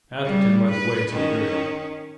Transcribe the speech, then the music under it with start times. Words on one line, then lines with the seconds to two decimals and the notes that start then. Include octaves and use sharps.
Atherton led the way to the rear.
0.21 C#3 G3
0.71 B4
1.12 D#3 C#4